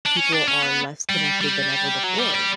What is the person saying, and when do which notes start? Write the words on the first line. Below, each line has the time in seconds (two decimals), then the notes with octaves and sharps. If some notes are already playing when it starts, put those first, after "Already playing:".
people are less connected than ever before.
0.06 D4
0.16 C#4
0.32 D4
0.48 C#4
0.63 B3
1.09 G3
1.41 G3
2.04 F#3
2.18 G3
2.35 G3